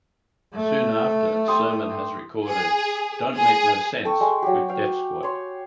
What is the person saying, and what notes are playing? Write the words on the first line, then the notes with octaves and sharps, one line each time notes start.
Soon after, Sermon has recorded "Don't Make No Sense" with Def Squad.
A3
G4 C6 D#6
G#4
G#4
A4 G5 C#6
G#3
F#3 G4
F5 G5
C#5 C6